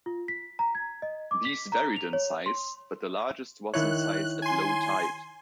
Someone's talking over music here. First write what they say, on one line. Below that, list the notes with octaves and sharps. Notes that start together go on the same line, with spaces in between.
These varied in size, but the largest was in size at low tide.
F4
B6
A#5
G#6
D#5
D6
B6
A#5
F7
C#5
C6
D#3 E4 C#5 F#6
G#5 C6